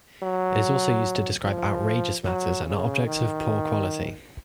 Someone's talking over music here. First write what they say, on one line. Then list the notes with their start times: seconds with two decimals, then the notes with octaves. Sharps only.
It is also used to describe outrageous matters and objects of poor quality.
0.23 F#3
1.43 F3
2.24 F#3
2.66 C#3
3.06 D#3